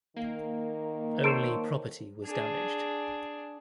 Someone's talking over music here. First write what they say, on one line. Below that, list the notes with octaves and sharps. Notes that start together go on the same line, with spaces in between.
Only property was damaged.
D#3 A#3
A4 C5 C#5 D7
D4 G#4